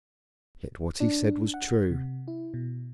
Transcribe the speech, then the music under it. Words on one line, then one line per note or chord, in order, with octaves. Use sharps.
Yet what he said was true.
D4
F#5
C3
E4
B2